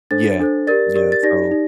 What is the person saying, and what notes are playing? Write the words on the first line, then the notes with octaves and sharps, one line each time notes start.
Yeah, yeah, so
D4 A4 C5 A6
D4 A4 C5
G4 A#4 D5 A6
G4 A#4 D5
A6
D#4 G4 D5 A#6
D#4